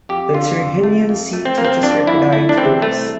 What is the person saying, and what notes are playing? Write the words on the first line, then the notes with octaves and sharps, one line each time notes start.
The Tyrrhenian Sea touches Ricadi to the west.
F2 G4
D3 F4
F2
A3
F2
A3
C4
F2 A#3
C4
F2 D4
F2 E4
A3 E4
D4
E3 C4
C2 A3